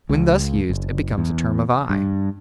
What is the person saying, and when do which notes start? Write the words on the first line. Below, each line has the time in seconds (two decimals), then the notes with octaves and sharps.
When thus used it becomes a term of eye.
0.09 C#2
0.70 F#1
1.18 E2
1.89 G2